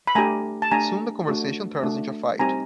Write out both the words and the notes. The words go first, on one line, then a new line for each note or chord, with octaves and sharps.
Soon the conversation turns into a fight.
B5
A3 D4 G4 G#5 A#5
A5
A3 D4 G4 G#5 A#5
A3 D4 F#4
A3 D4 F#4
G3 C4 D#4 G4 G#5 A#5